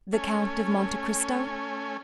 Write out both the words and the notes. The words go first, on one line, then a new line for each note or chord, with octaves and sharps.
"The Count of Monte Cristo?"
A3 C#4 G#5